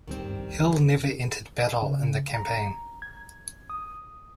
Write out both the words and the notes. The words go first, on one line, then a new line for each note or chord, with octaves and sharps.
Hill never entered battle in the campaign.
D2 D#3 G3 C4
G2
A#1
D#2
D3
E2
C#3
A#5
G#6
D#6